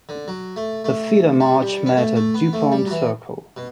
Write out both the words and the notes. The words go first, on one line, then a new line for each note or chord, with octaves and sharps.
The feeder march met at Dupont Circle.
D3
F#3
A3
A3
G3
B3
A3
A3
B3
A3
G3
F#3
E3
B2